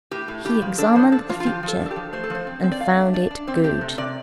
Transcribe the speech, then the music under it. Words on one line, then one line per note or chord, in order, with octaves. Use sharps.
He examined the future, and found it good.
A2 G4
A2
A2 G4
F3
D4 A4
F3 C5
D4 A4
F3 F4
F4
F3 G4
F3
A4
D4
A4
G4
F3
A3 C5
A4
F3 C5
C4
C4
D5
A3 F5
D4
D4 D5
D4
C4 C5
A3 G4
C3
C3 D5